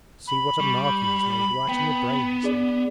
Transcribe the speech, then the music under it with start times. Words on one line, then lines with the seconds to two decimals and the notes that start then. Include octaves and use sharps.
'See what a mark he has made right in the brain,' he said.
0.27 B5
0.60 G3 C#6
1.69 B3 G5
2.43 D4 G#4 D5